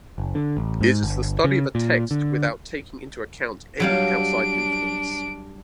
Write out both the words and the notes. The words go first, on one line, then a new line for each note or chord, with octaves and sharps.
It is the study of a text without taking into account any outside influence.
F#1
D3
A1
G#2
G1
C#3
A#2
D3
F#3 G3 D4 F5 D7